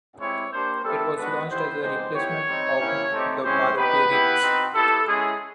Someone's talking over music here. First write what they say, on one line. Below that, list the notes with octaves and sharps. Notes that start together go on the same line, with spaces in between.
It was launched as a replacement of the Maruti Ritz.
G#3 C4 E4 G4 C#5
A#3 D4 G4 C5
G3 B3 E4 A4
G#3 B3 D4 F#4 B4
B3 E4 G4 C5
G#3 B3 D#4 G4 C5
B3 E4 G4 C#5
G3 C4 D#4
A#3 C#4 E4 G4
A3 C4 D#4 G4
G#3 C#4 E4 G4 C5
B3 D#4 G4 B4
B3 E4 G4
C4 D#4 F#4
B3 E4 G4 A4
G#3 C#4 E4 G#4